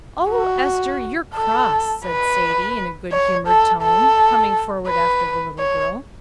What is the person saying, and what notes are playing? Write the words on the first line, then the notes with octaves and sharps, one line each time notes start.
"O, Ester, you're cross!" said Sadie, in a good-humored tone, coming forward after the little girl.
F#4
A4
B4
C#5
A4
A4
B4
C#5